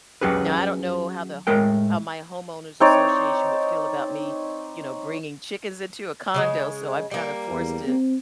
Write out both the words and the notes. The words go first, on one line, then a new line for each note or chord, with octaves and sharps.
now, I don't know how the ho how my homeowners association would feel about me, you know, bringing chickens into a condo, so I'm kinda forced to,
F#3 C#4 G4 G#4 B4
A2 G#3 A#4 G5
C4 D#4 C#5 D5
C#3 F3 G#3
G3 A#3
E2
C4